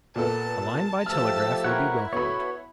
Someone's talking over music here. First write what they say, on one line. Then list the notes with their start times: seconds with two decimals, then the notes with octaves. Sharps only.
A line by telegraph will be welcomed.
0.16 A#2 B3 A4 A5
1.06 F3 A3 G4 A5 E6 F6
1.64 E4 A#4 C#5 F#5
2.13 B3 F#4 A4 C#5 B5